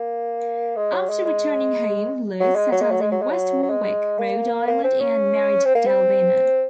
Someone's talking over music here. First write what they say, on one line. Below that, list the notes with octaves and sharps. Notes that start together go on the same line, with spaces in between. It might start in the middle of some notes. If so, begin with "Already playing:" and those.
After returning home, Luz settled in West Warwick, Rhode Island and married Delvina.
Already playing: A#3
G#3
F#3
G#3
G#3
F#3
G#3
F#3
G#3
F#3
G#3
F#3
G#3
F#3
F#3
G#3
A#3
A#3
C4
C#4
C4
A#3
C4